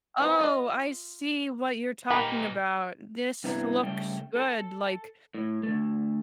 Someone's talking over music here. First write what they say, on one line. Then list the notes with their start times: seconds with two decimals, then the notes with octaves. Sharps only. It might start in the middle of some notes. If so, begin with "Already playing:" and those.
Oh, I see what you're talking about, this looks good, like,
0.20 E3 C4
0.39 F4 D#5
2.10 A#2 D#4 G4 A#4 B5
3.44 G2 C3 B3 E4 A#5
3.83 C#3 G3 A3 G5
4.36 A4
5.34 A2
5.63 D3 A3